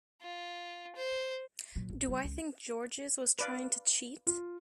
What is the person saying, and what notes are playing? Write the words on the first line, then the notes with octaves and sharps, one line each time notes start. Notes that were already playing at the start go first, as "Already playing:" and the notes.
Do I think Georges was trying to cheat?
F4
C5
A#2 F#3
A1
C#3 G3
C#2
B4 D5 F5
F4